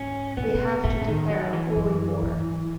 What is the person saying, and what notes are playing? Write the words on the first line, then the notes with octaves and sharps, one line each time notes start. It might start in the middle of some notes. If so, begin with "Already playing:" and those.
We have to declare a holy war.
Already playing: G#2 C#4
B2 B3
C#3
B2
A2 A3
C#3
D#3
F#3
E3
F#2
G#2